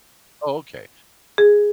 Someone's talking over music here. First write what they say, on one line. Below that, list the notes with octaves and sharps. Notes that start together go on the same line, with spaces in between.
Oh, okay,
G#4